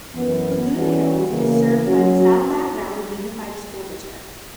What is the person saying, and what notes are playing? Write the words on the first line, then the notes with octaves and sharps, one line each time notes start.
Laguna Hills is served by the Saddleback Valley Unified School District.
F#2 E3 B3
E3 G3 C#4 F#4
C#3 E3 A#3
F#3 C#4 F#4